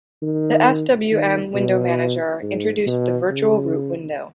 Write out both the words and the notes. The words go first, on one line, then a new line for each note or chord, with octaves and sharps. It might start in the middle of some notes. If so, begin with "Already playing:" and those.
The swm window manager introduced the virtual root window.
D#3
D#3
B2
G#2
B2
C#3